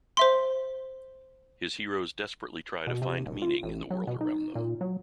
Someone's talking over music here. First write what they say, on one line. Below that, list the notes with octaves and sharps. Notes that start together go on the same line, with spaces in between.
His heroes desperately try to find meaning in the world around them.
C5 E5 C6
B2
C3
D#1
F4
A1
F#3
B2
D#4
A#2
F#3